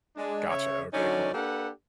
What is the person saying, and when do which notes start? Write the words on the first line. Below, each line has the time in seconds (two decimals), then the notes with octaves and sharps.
Gotcha, okay, cool.
0.16 G#3 D4
0.50 C#3 C#5 E5
0.93 D3 F#3 C#4 D#4 F#4 D5
1.34 A#3 D4 G4 A4 B4 F#5